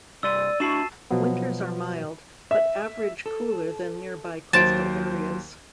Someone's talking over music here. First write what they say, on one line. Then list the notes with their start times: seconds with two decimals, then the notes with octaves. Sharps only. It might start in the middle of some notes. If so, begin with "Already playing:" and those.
Winters are mild, but average cooler than nearby coastal areas.
0.23 C2 G2 D5 C6 E6 A6 D#7
0.60 D4 E4 F#4 A5 C#6 C7 E7
1.11 B2 F3 F#3 B3
2.51 E5
3.26 A4
4.53 D#2 F#3 C5 A5 D7